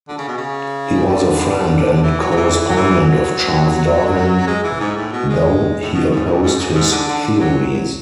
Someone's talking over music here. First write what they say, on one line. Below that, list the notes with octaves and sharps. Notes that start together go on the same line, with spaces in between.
He was a friend and correspondent of Charles Darwin though he opposed his theories.
D3
C#3
B2
C#3
D3
D3
E3
F#3
F#3
E3
E3
F#3
E3
F#3
G#3
E3
G#2
A2
B2
G#3
A2
B2
G#2
F#2
G#2
F#2
G#2
D3
D3
D3
F#3